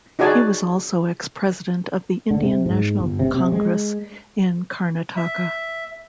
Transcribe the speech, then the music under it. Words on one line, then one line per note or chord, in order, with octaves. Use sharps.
He was also ex-president of the Indian National Congress in Karnataka.
D#4 F#4 G#4 D5 G#5 A5
D3
C3
G#2
G1
C3
C3
G#3
E5